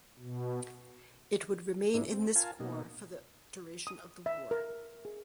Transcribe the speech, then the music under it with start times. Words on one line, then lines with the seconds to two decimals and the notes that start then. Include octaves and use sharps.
It would remain in this Corps for the duration of the war.
0.19 B2
1.94 G#2 D4 E4
2.12 C4
2.36 F4 A#4 F5 G#5 A5
2.60 B2 A#3 D#4
3.87 D#6
4.26 E5
4.51 A#4
5.05 G#4